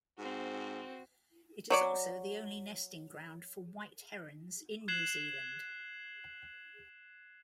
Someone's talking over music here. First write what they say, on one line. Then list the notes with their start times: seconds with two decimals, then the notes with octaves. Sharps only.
It is also the only nesting ground for white herons in New Zealand.
0.18 G#2 C4 F#4
1.70 F#3 C#5 D5
4.88 F#6 G#6 C7 E7 F#7